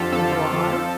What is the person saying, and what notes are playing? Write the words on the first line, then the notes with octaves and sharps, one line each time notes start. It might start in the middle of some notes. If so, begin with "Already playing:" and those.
And why?
Already playing: F2 D3 F3 F4 G4 A4
F2 A4
F3
F2
F3